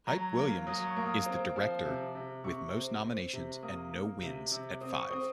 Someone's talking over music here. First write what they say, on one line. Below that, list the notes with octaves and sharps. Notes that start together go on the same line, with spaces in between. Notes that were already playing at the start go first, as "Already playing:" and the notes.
Hype Williams is the director with most nominations and no wins at five.
F#3 A#5
A#3
F#3 D#6
C#6
A#3
D#6
C4
F3
C3
C3
C3 C#6
C4
C4
C3
A#3 D#6
A#3
C3
C3
C4 D#6
C#6
C4 D#6